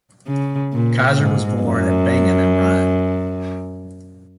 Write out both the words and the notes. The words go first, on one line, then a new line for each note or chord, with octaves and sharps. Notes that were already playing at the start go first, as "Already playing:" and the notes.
Kayser was born at Bingen am Rhein.
C#3
A#2
G#2
F#2